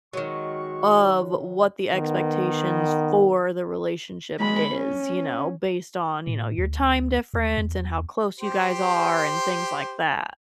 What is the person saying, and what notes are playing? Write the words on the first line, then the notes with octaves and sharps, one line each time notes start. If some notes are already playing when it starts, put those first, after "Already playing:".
of what the expectations for the relationship is, you know, based on, you know, your time difference, and how close you guys are, and things like that.
D#3 F#3 G#3 C#6
D#3 B3
G#3 B5
C#4
A2
D2
D#2
E2
G4 C5